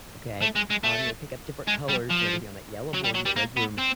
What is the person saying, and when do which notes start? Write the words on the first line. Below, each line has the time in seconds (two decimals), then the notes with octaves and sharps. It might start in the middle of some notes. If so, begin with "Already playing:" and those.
okay? Um, you know, pick up different colors and everything on that yellow board in the red room.
0.42 A3
0.56 G#3
0.70 G#3
0.83 A3
1.68 G#3
1.89 G3
2.10 F3
2.94 F#3
3.04 G3
3.15 F#3
3.26 G3
3.36 A#3
3.57 B3
3.78 C4